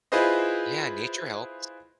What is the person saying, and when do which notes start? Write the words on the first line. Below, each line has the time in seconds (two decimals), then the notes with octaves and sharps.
Yeah, nature helps.
0.12 E4 F4 G#4 B4 C5 D#5